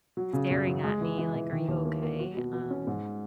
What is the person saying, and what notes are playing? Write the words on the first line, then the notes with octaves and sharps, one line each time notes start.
staring at me, like, "Are you okay, um?"
F#3
C#3
F#2
F#3
G#3
E3
E3
E3
D#3
D#2
A#3
A#3
F#4
B2
B2
C#4
G#2